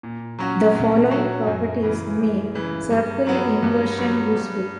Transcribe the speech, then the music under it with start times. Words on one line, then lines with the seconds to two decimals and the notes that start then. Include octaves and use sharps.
The following properties make circle inversion useful.
0.03 A#2
0.39 F#3 C#4 F#4
0.75 A#2
1.11 F#3 C#4 F#4
1.47 F#2
1.83 C#3 E3
2.19 F#2
2.55 C#3 E3
2.90 G2
3.27 F#3 B3
3.63 G2
3.99 F#3 B3
4.35 G2